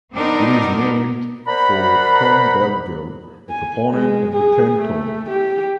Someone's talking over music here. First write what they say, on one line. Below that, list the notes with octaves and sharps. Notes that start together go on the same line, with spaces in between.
It is named for Tom Bevill, a proponent of the Tenn-Tom.
B3 C4 D4 D#4 A#4
A#4 C5 D5 F#5 A#5 B5
G#5
G#3
G#4
A3
G4